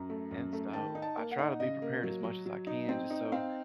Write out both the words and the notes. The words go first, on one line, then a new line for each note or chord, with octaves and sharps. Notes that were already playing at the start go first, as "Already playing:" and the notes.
And so I try to be prepared as much as I can just so
Already playing: F#2 A#5
A3
F#2
A3
D#3 A5
D#4
A5
A#3
F#5
D#4
C#3 D#5
A#3
F#3
F#3
F#3
D#4
C4
D#4
C4 F5